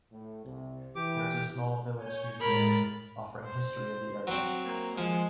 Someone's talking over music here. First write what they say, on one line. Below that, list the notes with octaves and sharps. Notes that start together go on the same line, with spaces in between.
There is a small village museum, offering history of the area.
A2
C2 C3
E3 G4 D6
C#5 G#5 G6
A2 G#3 A#4 B5 A6
C5
F#3 C4
A#3
F3 G#3